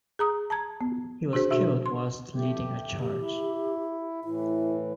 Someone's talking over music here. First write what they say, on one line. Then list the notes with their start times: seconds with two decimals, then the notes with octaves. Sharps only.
He was killed whilst leading a charge.
0.19 G#4 A#5 D#6
0.50 A5 A#5 G#6
0.81 B3
1.33 D4 F#4 G#4 C5
1.51 B2 D4 F#4 E5
1.86 C6
2.34 A3 G4
3.00 C#3 G4
3.19 E4
4.24 A2 E3 E4